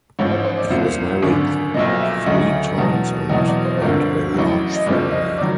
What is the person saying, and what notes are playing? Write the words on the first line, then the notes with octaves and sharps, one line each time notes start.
He was married three times and had a large family.
A1 G#2 F3 C#5
C5
C5
D5
C2 A#2 F3
G#1 F#2 D3
B1 A#2 F3 D#5
E5
D2 C#3 F#3 D#5
E2 B2 F#3
E2 B2 F#3 D#5
D5
C5
G1 F2 D3 F3 A#4
A1 A2 F#3
D#5
F#1 F2 C#3 F3 D5
D5
D#5
D#3 F#3 D5